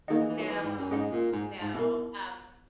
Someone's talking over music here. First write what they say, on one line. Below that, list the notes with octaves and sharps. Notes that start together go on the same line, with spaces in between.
No, no, um
D#3 A#3 D#4 G#4 D#5 F#5
E3
E3
F#3
E3
G#2
F#2
G#2 C#4 G#4 D#5 F#5
A#2
G#2
G#2
B2 B3 E4 A#4